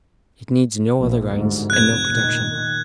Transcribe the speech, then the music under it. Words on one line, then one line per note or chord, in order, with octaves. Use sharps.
It needs no other guidance, and no protection.
A#1
G1 D2 G#2
F1 F#6 G#6
A#2 D#3